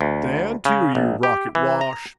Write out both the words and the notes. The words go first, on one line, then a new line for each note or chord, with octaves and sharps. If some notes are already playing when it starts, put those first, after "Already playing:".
"Stand to, you rocket wash!"
D2
C#3
A#1
G4
E3
A#5